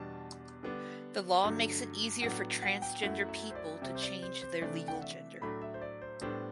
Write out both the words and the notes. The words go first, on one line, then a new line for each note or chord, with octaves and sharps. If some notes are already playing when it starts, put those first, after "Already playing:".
The law makes it easier for transgender people to change their legal gender.
Already playing: E2 B2 G3 D4 A5
D3 G3 B3 D4
G2 D3 F#3 A3
A2 F#3 B3 D4 F#5
F#5
G5
F#2 F#3 A3 E4 F#5
E5
C5
D5
C3 G3 C4 E5
C5
D5
C5
C5
C3 E3 A3 D4 D5
G5
F#5
E5
A2 F#3 A3 D4 B5
E5
C5
D5
C5
A2 G3 B3 D4 C5